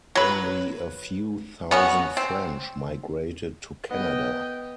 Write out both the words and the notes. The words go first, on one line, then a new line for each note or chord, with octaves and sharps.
Only a few thousand French migrated to Canada.
F#3 B4
B3 C#4 F#4
C4
B3 D#5 G5